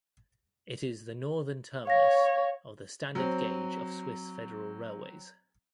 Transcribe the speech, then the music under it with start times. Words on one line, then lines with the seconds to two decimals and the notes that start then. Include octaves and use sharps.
It is the northern terminus of the standard gauge of Swiss Federal Railways.
1.87 C#5 F5 A#6
3.15 F#3 C4